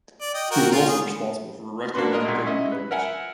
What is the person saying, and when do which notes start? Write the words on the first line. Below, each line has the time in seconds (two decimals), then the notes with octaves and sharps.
He was also responsible for erecting many government buildings.
0.21 D5
0.34 D#5 G5
0.51 F#4 A#4 G5
0.72 C#4 F4
0.88 G#4
1.94 A#3 D4 F#4 B4 C6
2.12 G#3 A#4 D#5
2.25 B1 A#2
2.46 C#4 E4 D#5
2.72 B4
2.91 A#4 E5 F#5 G#5